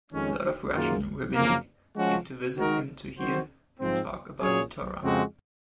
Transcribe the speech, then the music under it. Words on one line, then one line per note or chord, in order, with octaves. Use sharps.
A lot of Russian rabbinic came to visit him to hear him talk about the Torah.
F2 D#3 G#3 C#4
F#2 D#3 A#3 F4 G#4
F#2 C#3 F3 A#3
F3 G#3 C#4 F#4
D#3 G#3 D#4 F#4 A#4
D#3 F#3 C4 F#4 C5
G#2 F3 C4
A#2 F#3 C#4 G#4 C#5
F2 C#3 G#3 C4 F#4